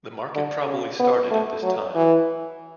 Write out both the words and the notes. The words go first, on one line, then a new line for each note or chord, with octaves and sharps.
The Market probably started at this time.
D3
C#3
B3
A3
F#3
E3